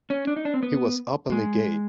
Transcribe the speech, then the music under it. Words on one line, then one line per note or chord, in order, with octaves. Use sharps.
He was openly gay.
C#4
D4
D#4
D4
C4
B3
G#3